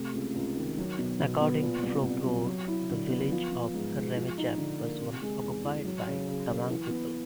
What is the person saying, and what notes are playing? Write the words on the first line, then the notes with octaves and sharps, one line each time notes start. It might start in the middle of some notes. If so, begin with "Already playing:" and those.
According to folklore, the village of Ramechhap was once occupied by Tamang people.
Already playing: C3 A3
C#2
C#2
D#3
F#3
B2
B2
B3
A#2
C2
C2
F#3
F#3
E4
D3
B3
F3
B3
G#2
G#3
F3
D#4
D3
A#3
C3
G#3
E2
E3
F#3
C#3
C#3
A#3
E3
B3